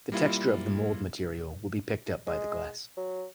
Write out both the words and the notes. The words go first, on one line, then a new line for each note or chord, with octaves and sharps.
The texture of the mold material would be picked up by the glass.
G3 A#3 E4 F4
G#3
F#3